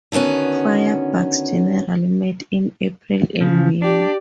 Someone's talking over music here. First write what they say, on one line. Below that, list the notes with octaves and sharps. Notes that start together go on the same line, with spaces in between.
Firebugs generally mate in April and May.
D3 D#3 B3 C#4 F#4
C#3 F3
D4 G4 D5